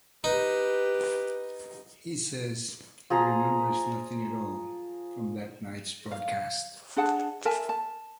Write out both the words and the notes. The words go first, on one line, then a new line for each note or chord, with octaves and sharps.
He says he "remembers nothing at all" from that night's broadcast.
D#4 G4 B4
F3 G#4 A#5
F5
D4 G#4 F#5 A5
A#4 E5 G#5 A5
A5